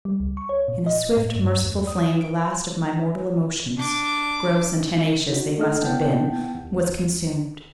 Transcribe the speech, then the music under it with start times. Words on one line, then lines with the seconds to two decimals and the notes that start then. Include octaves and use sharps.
In a swift, merciful flame the last of my mortal emotions--gross and tenacious they must have been--was consumed.
0.05 G3
0.20 C#2
0.37 C#6
0.49 C#5
0.68 A#2
0.86 D#5
1.17 A2
1.36 G2
1.63 E2
1.87 D#6
2.21 D7
3.77 D4 D6
5.29 D#4 F#4
5.58 A3 D4 A4 D#5 F6
5.82 B3 E4 F#5 G5 A5 G6
6.55 D#2